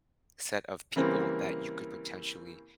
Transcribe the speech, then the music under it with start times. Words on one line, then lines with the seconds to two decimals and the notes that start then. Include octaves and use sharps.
set of people that you could, potentially,
0.96 C#3 E3 G3 A#3 C4